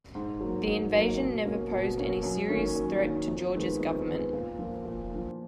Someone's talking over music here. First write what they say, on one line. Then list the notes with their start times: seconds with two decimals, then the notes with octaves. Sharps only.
The invasion never posed any serious threat to George's government.
0.15 G#2
0.41 F#3 A#3
0.67 G#2
0.93 F#3 A#3
1.18 B2
1.45 A#3 C#4
1.71 B2
1.97 A#3 C#4
2.23 F#2
2.49 D#3 A#3 C#4
2.76 F#2
3.02 D#3 A#3 C#4
3.28 F2
3.55 D#3 G#3 B3
3.80 F2
4.07 D#3 G#3 B3
4.33 A#2
4.59 F3 A#3
4.85 A#2
5.11 F3 A#3